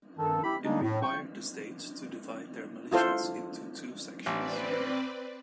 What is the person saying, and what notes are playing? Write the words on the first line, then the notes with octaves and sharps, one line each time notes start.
It required the states to divide their militias into two sections.
G2 D#3 A4
E4 G4 B5
D3 G3 G#3 A#3 D4 D#4
A2
G5 C#6
E4 F4 A4 C5
A1 C4 B4 D5